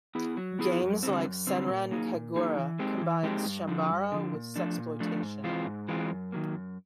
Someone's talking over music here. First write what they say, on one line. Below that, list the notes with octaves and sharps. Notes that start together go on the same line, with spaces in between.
Games like Senran Kagura combines Chambara with sexploitation.
B3 E4 G#4
F#3
B3 E4 G#4
F#2
D3 G3 C4
F#2
D3 G3 C4
A#2
F#3 A#3 D#4 G#4
A#2
F#3 A#3 D#4 G#4
E3
G#3 C4 D#4 G4
E3
G#3 C4 D#4 G4
G2
D3 F3
G2
D3 F3
A#2
F3 A3 D4
A#2
F3 A3 D4
G#2
E3 G#3 C4 F4
G#2
E3 G#3 C4 F4
F#2
D#3 F#3 A#3
F#2